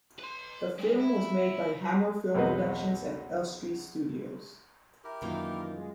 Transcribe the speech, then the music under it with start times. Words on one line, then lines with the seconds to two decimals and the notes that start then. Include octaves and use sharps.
The film was made by Hammer Film Productions at Elstree Studios.
0.19 B4 C6
0.79 G3 G#3
1.00 E4
2.35 B1 E2 C4 B4 D#5
5.04 E4 G4 A#4
5.22 F#2 D#3 E3 A#3 F4
5.77 G#3